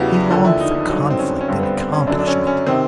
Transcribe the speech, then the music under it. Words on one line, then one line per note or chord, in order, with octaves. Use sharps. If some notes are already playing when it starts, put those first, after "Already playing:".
He longed for conflict and accomplishment.
Already playing: E2 C#3 E3 G3 F#4 G4
D#2 D3 F3
E4
D#4
D#4
G2 D3 F#3 D#4
C4
C#4
C#4
G2 D3 G3 C4
B3
C4
C4
C#4
F#2 D3 F#3 D4
D4
C#4
C#4
C3 D#3 C4